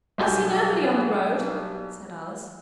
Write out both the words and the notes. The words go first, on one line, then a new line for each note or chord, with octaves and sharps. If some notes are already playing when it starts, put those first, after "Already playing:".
'I see nobody on the road,' said Alice.
B1 G3 A4 G#5 G6